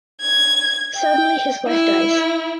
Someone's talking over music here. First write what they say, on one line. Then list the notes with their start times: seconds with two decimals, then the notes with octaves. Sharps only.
Suddenly his wife dies.
0.20 G#6
0.96 G5
1.67 E4